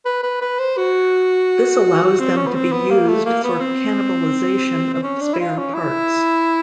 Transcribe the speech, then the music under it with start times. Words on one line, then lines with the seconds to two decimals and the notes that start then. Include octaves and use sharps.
This allows them to be used for cannibalization of spare parts.
0.06 B4
0.23 B4
0.41 B4
0.59 C5
0.77 F#4
2.20 C4
2.37 C#4
2.47 B3
2.55 C4
2.72 B3
2.90 A#3
3.08 A3
3.26 A#3
3.44 B3
3.61 C4
4.94 C4
5.03 C#4
5.21 D4
5.34 E4
5.39 F4
5.57 C#4
5.74 E4